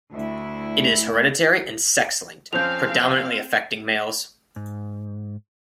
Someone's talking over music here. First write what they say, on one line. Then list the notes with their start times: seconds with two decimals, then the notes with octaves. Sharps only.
It is hereditary and sex-linked, predominantly affecting males.
0.12 D2 E4
2.53 F2 C4 C#4 C5 F5 G6 F7
4.56 G#2